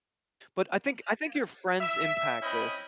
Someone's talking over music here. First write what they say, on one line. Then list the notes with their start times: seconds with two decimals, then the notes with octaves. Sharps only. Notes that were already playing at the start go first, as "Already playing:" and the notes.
But, I think I think your friends impact this.
1.81 E5
2.42 C4 C#4 E4 D#5 B5